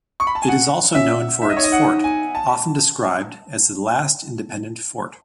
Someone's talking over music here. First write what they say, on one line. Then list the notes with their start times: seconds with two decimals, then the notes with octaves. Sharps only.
It is also known for its fort, often described as the "last independent fort".
0.20 C#6
0.27 B5
0.35 A5
0.42 G#5
0.48 F#5
0.95 C#4 E5
1.42 D#4 E5
1.49 D#5
1.57 C#5
1.64 D#5
1.72 F#5
2.04 G#5
2.35 A5